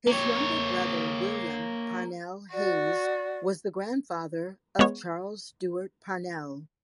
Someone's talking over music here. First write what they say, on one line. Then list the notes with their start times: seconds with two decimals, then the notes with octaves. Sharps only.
His younger brother William Parnell-Hayes was the grandfather of Charles Stewart Parnell.
0.07 A#3 C#5
2.54 F#4 D5
4.79 G#3 B3 C#5